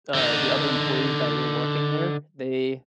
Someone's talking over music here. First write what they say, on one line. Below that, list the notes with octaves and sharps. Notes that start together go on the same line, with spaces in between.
uh, the other employees that were working there, they
D3 D#4